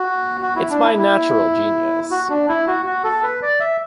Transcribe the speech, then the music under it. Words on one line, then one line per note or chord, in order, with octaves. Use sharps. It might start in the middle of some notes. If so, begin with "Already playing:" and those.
It's my natural genius.
Already playing: F#4
F#4
E4
D4
E4
E4
F#4
D4
E4
F#4
F#4
A4
B4
D5
E5